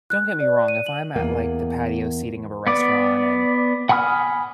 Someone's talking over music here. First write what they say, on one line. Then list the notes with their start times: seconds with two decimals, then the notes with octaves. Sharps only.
don't get me wrong, if I'm at, like, the patio seating of a restaurant and,
0.10 F#6
0.40 D5
0.68 D#7
0.86 F#7
1.16 E2 A#3
2.67 B3 D5
3.89 F#5 G#5 B5 D#6 F6